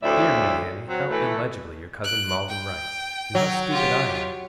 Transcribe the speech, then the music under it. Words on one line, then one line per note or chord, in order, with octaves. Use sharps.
Dear me, Annie, how illegibly your cousin Maldon writes, and how stupid I am!
D2 A2 F3 D5 E5
F#3 C4
E3 A3
F#6 D7
G5
F#3
F4 G4